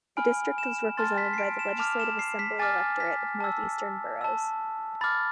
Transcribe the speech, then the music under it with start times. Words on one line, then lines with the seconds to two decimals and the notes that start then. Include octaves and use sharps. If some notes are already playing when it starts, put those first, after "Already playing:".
The district was represented by the Legislative Assembly electorate of North Eastern Boroughs.
0.17 G#5 B5 F6 D7
0.58 E7
0.97 A5 C6 F6 A6
1.18 B6
1.33 C7
1.38 D7
1.59 E7
1.78 A5 D6 F6 F7
2.00 E7
2.19 C7
2.39 B6
2.59 G#5 D6 F6 A6
3.00 B6
3.40 A5 E6
4.21 A5 E6
5.01 B5 D6 F6 A6